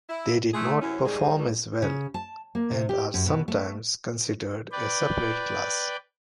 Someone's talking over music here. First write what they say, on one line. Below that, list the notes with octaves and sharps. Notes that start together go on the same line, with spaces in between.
They did not perform as well, and are sometimes considered a separate class.
E4
G#3 A3 E4 G#4
F#2 C3 C#4 E4
D#3 G3 G#3 G#4
C#2
C#3
A5
A#3
C3
G4
F#2
B2
A3
B4 D5 G5